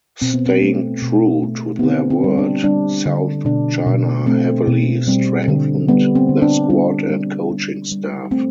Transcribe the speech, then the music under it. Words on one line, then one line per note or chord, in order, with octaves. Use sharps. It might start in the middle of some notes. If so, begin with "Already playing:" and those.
Staying true to their word, South China heavily strengthened their squad and coaching staff.
B2 C4
B3
C4
A3
B2
A3
B3
D3 C4
C4
G3
D4
G3 D4
D3
B2 D4
B2
A3 C4
B2
G3 C4
D3
G3 B3
C4
D3
D4
G3 D4
G3
G3
G3
A3 C4